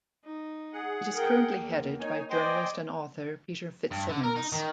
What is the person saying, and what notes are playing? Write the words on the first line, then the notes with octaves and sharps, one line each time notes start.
It is currently headed by journalist and author Peter FitzSimons.
D#4
G#4 F#5
A#4 G5
E2 A#3
D#4 C#5 G#5
C5 D5 D#5 G5 G#5
G2
D3
A#4
D#4
D#3